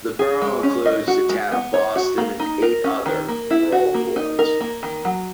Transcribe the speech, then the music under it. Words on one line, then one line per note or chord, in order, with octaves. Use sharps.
The Borough includes the town of Boston and eight other, rural wards.
G#4
G#3
C#4
D#5
F#4
G#3
B3
C#5
F#4
A#3
D#4
A#4
C#4
D#3
A#3
E4
F#4
A#3
D#4
A#4
A#3
D#3
F#3